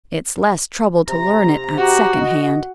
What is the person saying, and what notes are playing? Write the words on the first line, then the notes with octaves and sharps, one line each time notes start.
It's less trouble to learn it at second hand.
C3 A#5
F#4 G4
D#5